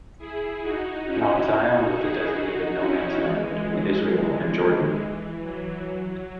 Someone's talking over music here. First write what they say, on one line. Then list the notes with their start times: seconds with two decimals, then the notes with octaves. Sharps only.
Mount Zion was a designated no-man's land between Israel and Jordan.
0.18 E4 G#4
0.62 D#4 F#4
1.06 C#4 E4
1.49 D#4 F#4
1.92 E4 G#4
2.36 D#4 F#4
2.79 C#4 E4
3.23 E3 G#3
3.67 F#3
4.10 E3 G#3
4.98 E3
5.40 F#3
5.84 F#3